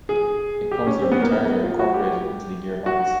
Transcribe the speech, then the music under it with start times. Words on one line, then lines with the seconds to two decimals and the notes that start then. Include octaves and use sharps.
It comes with a retarder incorporated into the gearbox.
0.09 G#4
0.71 G4
0.87 C#4
1.02 C4
1.12 B3
1.22 A#3
1.33 B3
1.64 F4
1.79 F#4
1.94 G4
2.86 F#4